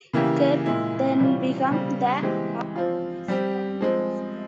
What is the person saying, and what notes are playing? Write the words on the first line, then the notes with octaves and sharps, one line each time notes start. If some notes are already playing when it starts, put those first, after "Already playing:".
Kerr then became the Armoury's dominant figure.
C#3 E3 A#3 E4 G4
A#2 G#3 E4
C3 E3 G3 C#4 F4
C#3 G3 C4 G4
E3 G#3 C4 G4
F3 C4 F4
G3 C4 G4
F3 G#3 C4